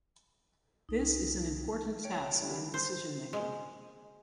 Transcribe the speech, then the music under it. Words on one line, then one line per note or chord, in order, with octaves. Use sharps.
This is an important task in decision making.
C2 D#4
C#5 G5 D7
D3 G3 C#4 D4 E4 D5
C5
G#3